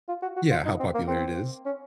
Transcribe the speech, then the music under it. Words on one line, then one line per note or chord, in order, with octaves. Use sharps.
Yeah, how popular it is.
F4
F#4
F#4
F4
D#4
C4
A#3
C4
C#4